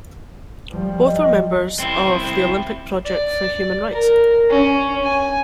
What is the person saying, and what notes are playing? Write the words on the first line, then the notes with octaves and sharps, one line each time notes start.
Both were members of the Olympic Project for Human Rights.
F3 G3
D#5
C4 E4
D5
A#4
C#4
G#5